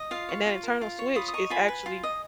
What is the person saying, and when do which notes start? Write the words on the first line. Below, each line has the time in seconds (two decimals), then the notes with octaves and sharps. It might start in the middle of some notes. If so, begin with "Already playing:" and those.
and that internal switch is actually
Already playing: D#5
0.11 F4 F5
0.29 C#5
0.46 F4
0.63 A#4
0.81 F4
0.99 C#5
1.15 F4 B5 D#6
1.28 D#6
1.34 D#5 A#5 C#6
1.50 F4 G#5 B5
1.68 B4
1.86 F4
2.03 D#5